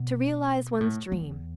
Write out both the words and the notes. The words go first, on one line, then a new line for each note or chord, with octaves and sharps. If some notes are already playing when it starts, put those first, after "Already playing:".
To realize one's dream.
Already playing: B2
A2
E2